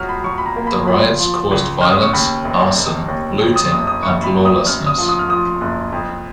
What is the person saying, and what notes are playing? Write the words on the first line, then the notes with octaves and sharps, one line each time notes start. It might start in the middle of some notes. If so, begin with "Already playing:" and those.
The riots caused violence, arson, looting and lawlessness.
Already playing: F2 F#3 C#6 F6
B5
F#3 C#6
B5
A#5
A#3
B5
F3 B5
F3
C#2
C#3 F6
D#6
C#6
D#2 B5
F1
F1
D#2
F2
D#6
F#1 D#6
D#6
F#1 C#6
B5
F#1
D#6
F#2 F6
D#6
F3
D#6
F6
F3 D#6
F#1
F2